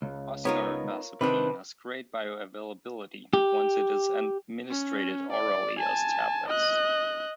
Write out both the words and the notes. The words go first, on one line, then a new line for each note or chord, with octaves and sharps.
Oxcarbazepine has great bioavailability once it is administrated orally as tablets.
C#2
B3 D#4 F4 A#4 C#5
C3 D#3 D4 B4
G4
C#4
D5
G#5 A5
D#5 F#6